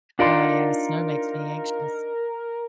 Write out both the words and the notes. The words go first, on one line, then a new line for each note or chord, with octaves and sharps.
Oh, yeah, that makes me anxious.
D4 D#4 F4 A#4 D5 C6